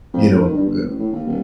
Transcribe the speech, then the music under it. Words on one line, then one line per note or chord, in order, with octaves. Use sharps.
you know, uh,
F2
A1
D#3
G2
G1
A1
A2
D#2
D#1